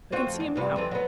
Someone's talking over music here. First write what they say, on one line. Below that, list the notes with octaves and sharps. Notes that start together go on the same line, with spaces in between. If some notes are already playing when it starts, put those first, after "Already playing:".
I can see him now.
C4 F4 F#4
F2
E2
G2 C3 G3
F2 E3 C4
F#3 B3